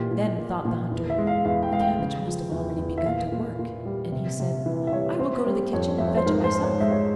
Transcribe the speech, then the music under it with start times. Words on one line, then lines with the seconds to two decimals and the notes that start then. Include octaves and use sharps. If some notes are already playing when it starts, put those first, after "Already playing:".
Then thought the Hunter, 'The cabbage must have already begun to work.' And he said, 'I will go to the kitchen and fetch it myself.'
Already playing: A#2 E3 G4
0.11 A#2
0.38 A#2
0.65 A#2
0.91 E2
1.10 E5
1.18 G#3
1.27 F5
1.45 E2 F5
1.63 G5
1.72 G#3 F5
1.80 G5
1.99 C#3
2.26 F3
2.52 E2
2.78 E2
2.98 E5
3.06 A#2 F5
3.32 A#2
3.59 A#2
3.85 G3
4.12 C3
4.40 C3
4.66 E3
4.87 E5
4.93 G3 C#5
5.19 C4 C5
5.46 G3
5.73 F2 C#5
5.98 F2 E5
6.08 C#5
6.17 C5
6.26 G#2 A#4
6.44 C5
6.53 G#3
6.63 C#5
6.80 G#3 E5
6.91 C#5